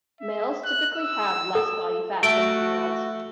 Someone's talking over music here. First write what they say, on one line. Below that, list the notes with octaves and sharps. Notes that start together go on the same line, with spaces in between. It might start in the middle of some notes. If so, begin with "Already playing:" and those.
Males typically have less body fat than females.
E5
F#6
E6
A4
A3 F#4 D7